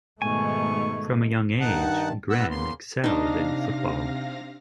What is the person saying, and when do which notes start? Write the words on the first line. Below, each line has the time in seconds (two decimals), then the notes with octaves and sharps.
From a young age, Gren excelled in football.
0.22 G#2 B2 D#3 A3 G#5 C#6
1.60 G2 D#3 D#4 F#5 A5
2.30 G2 B3 F#5 E6
2.51 C#3 A#3 C6
3.04 C3 D4 D#4 F5 A#6